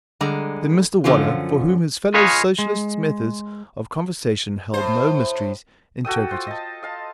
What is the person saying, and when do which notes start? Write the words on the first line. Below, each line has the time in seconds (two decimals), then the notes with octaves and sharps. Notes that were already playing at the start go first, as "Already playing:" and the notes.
Then Mr Waller, for whom his fellow Socialist's methods of conversation held no mysteries, interpreted.
0.21 D3 G3 G#3 A#5
1.04 F#2 D3 F3 C#4 F4
2.14 F4 G#4 B4 C#5 D#5 F5
2.59 G#3
4.74 A2 C5
6.05 F#4 A4 G5 D#6
6.31 F4 C5
6.47 D#5 A5
6.83 D#5 F5 A5